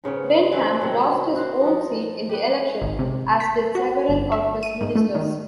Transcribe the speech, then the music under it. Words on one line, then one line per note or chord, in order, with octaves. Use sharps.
Denham lost his own seat in the election, as did several of his ministers.
G#2 C#3 B3 C#4
E3 G#3 C4 D4
C3 D#3 F#3 G3
F#4 B4 C5
F3 D#4
B3 G4
G#1
C3
B6
F#4
G1
E5
D#7
G#2
A3
D#3